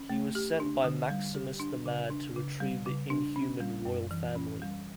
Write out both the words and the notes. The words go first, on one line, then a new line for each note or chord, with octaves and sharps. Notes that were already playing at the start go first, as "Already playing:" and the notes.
He was sent by Maximus the Mad to retrieve the Inhuman Royal Family.
Already playing: C#4
A3
G4
D4
D3
G3
G4
D4
C#3
D4
C#3
G3
C#3
D4
C#4
G3
F#2
E3
C#4
G3